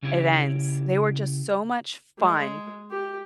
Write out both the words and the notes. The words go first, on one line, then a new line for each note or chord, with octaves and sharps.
events. They were just so much fun,
C#3 C#4 E4 G4 C#5
G#3
G4